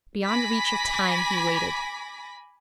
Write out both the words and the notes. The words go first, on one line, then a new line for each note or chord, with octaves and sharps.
Beyond reach of time he waited.
G#5 B5 D6 A#6 B6